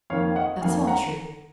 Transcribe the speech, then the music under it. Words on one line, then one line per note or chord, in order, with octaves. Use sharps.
That's all true.
F2 D#3 A#3 C#5 F5
D#5 F#5
F2 D#3 A#3 F5 G#5
F#5 A#5